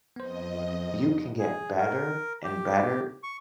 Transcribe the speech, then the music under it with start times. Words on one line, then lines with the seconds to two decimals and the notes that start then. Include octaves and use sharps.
You can get better and better,
0.16 F2 B3 C5 D#5
1.39 G#4
1.78 A#4
2.44 G4
3.23 C#6